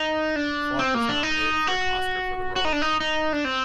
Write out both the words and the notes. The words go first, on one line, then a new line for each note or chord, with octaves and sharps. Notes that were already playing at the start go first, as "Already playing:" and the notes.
Falk was nominated for an Oscar for the role.
Already playing: D#4
D4
C4
A#3
D4
D#4
F#4
F#4
D#4
D4
D#4
D#4
D4
C4